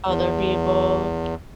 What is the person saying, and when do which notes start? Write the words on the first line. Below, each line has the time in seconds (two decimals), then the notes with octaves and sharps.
Other people.
0.06 E2